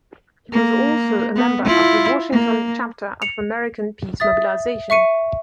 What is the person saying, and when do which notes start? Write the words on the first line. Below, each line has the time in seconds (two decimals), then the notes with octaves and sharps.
He was also a member of the Washington Chapter of American Peace Mobilization.
0.52 A#3
1.36 B3
1.65 E4 F4
2.32 A#3
3.22 C#7 F7
4.20 E5 D#6 A6
4.90 E5 C#6 C#7 D#7